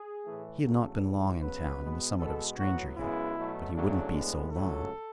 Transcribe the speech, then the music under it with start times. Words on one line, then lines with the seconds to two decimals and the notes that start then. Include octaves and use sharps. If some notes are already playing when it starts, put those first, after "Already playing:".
He had not been long in town and was somewhat of a stranger yet, but he wouldn't be so long.
Already playing: G#4
0.25 A2 E3 A3
0.63 E2 C#3 F#3 A3 A4
1.02 D2 C#3 E3
1.40 F#2 C#3 F#3 B3 B4
1.79 B2 G#3 B3
2.18 B2 G#3 B3 A4
2.57 A2 F#3 B3 F#4
2.96 F#2 C#3 G#3 B3 E4
3.35 B2 F#3 A3
3.74 E2 C#3 F#3 A3 D4
4.12 A2 G#3 B3
4.51 C#2 C#3 F#3 A3 A4